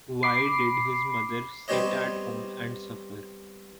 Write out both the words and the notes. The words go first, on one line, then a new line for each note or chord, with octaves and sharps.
Why did his mother sit at home and suffer?
B5 D6 C7
G3 B3 C4 G4 C#5 D#5